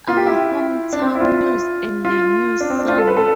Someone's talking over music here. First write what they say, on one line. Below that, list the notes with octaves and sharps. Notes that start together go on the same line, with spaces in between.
Our Hometown News and the News-Sun.
F4
G4
E4
D4
C4
E4
F4
F4
D4
C4
D4
F4
A4
B4
A4